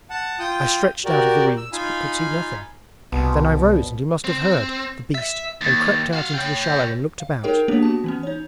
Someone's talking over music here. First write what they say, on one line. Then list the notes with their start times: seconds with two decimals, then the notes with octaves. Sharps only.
I stretched out of the reeds but could see nothing; then I rose and he must have heard, the beast, and crept out into the shallow and looked about.
0.10 F#5 A5
0.39 F4 G5 D#6
1.05 F#4 G4 A#4 D5
1.57 E6
1.73 D#4 F4 F5 G#5 B5
3.12 C2 B2
4.25 C4
5.14 E5
5.61 D#2
6.13 F#4 F5
6.35 C#5 G5
7.20 F5
7.43 D#4 G#4 A#4 C#5 G5
7.68 A#3 B3 D4 G4 G#4 C#5
7.82 B3 F#4 A5
8.04 E3 B3 C#4
8.23 D#4 C#5